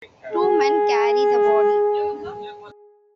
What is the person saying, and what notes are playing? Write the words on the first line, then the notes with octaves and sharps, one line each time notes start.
Two men carry the body.
G#4